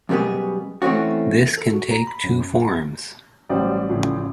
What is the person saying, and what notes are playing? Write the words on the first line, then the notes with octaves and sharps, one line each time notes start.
This can take two forms.
F#2 B2 G3 B3 G#4
E3 A3 C4 C#4 F#4
A4
F#4
A#5
B5
F#2
A1 F#3 G3 C5 D5 F#5
A2 C#3 F3